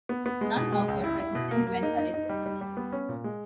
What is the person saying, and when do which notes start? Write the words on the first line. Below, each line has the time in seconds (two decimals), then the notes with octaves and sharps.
None offered resistance when arrested.
0.09 B3
0.26 B3
0.41 G#3
0.56 B2
0.72 G#3
0.88 C#2
1.04 E4
1.20 E4
1.35 B2
1.51 A#3
1.67 A#3
1.83 D#4
1.98 D#4
2.14 D#4
2.29 G3
2.46 G3
2.61 G3
2.77 B3
2.93 C#4
3.09 A#2
3.24 G#3